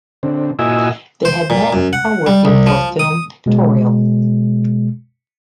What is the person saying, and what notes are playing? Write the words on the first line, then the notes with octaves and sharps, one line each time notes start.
They had met while working for "Film Pictorial".
D3 C4
A#2 E4 F#4 D#5 G#5 E6
C5
A#2
F#2
F#5
G3
C2
F3
D#6
B2 G#3